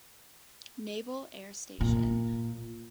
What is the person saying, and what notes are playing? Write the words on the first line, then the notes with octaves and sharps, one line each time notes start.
Naval Air Station.
A#2